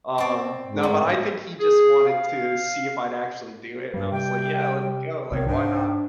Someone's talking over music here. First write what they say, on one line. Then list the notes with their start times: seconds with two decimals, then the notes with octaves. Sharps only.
Um, no, but I think he just wanted to see if I'd actually do it, and I was like, "Yeah, let's go, like, why not?"
0.18 C4 D5
0.66 G#2
0.83 A2
1.60 G#4
2.06 F5
3.94 G2 G3
4.12 C3 G5
5.32 C2 C3 D#3 C4 C#5
5.47 G#2 D4 G5